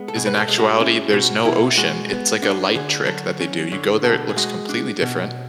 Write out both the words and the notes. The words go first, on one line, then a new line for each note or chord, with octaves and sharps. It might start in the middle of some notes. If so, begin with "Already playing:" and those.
is in actuality, there's no ocean, it's like a light trick that they do you go there, it looks completely different.
Already playing: G#3 B3
A4
B2 G#4
B4
A4
G#3
F#4
C#4 E4
B2 F#4
B2 E4
G#3 F#4
B3
D4
D3 G#4
F#3 A4
C#4 C#5
D3 C#5
B2 A4
G#4
G#3 F#4
D4
B2